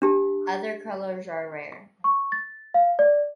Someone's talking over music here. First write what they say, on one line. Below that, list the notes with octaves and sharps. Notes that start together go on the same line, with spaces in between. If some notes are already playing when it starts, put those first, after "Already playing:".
Other colors are rare.
D4 G4 A5
C#6
A6
F5
D5